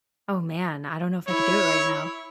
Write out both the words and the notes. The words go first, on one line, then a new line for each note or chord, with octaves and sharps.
Oh, man, I don't know if I could do it right now.
E4 C#5